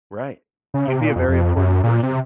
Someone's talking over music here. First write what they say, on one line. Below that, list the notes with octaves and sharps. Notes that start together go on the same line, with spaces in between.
Right, you'd be a very important person.
C#3
C3
A#2
F2
F2
F#2
A#2
C3